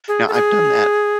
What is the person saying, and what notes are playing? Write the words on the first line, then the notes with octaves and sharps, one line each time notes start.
now I've done that
G#4
A4
G#4